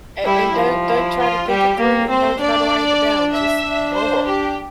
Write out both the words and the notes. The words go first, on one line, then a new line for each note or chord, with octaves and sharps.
And and don't don't try to think it through, and don't try to write it down, just roar,
G3 E4
F3
E4
F4
G3 G4
A#3
C4 C5
D4 D5
E5
D4
C5
G4